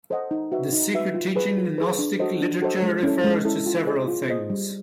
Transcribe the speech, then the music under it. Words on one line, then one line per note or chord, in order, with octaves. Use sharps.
The secret teaching in Gnostic literature refers to several things.
A4 C5 D#5 F#5
D#4
F#4 B4 E5
D#4
F#4 B4 E5
F4
G#4 B4
F4
G#4 B4
D4
F#4 A4 C5 D#5
D4
F#4 A4 C5 D#5
G#3
C#4 E4 A4
G#3
C#4 E4 A4
F4
G#4 C5 D#5
F4
G#4 C5 D#5
G3